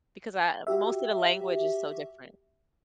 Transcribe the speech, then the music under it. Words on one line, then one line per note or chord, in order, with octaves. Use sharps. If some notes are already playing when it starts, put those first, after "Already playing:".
because I most of the language is so different.
F#4 G4 E5